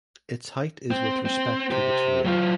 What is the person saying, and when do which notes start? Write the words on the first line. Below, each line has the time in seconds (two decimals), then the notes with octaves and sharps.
Its height is with respect to the terrain.
0.91 C4
1.25 C4
1.71 G4 C5
2.25 F#3 F4